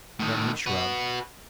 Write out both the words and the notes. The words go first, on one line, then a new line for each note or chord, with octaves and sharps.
Then he shrugged.
A2 D#3
F#4 B4